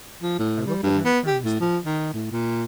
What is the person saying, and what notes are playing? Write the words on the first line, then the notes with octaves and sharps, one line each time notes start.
I looked at her earnestly.
F3
A2
G3
G2
B3
G4
A2
F3
D#3
A2
A#2